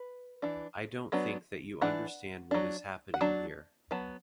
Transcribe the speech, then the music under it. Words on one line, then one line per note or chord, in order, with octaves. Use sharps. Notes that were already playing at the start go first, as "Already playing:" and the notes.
I don't think that you understand what is happening here.
Already playing: B4
E3 D4
F#3 B3 D4
E3 D4 F#5
F#3 D4
F#5
F#3 D4 A5
F#3 B3 A5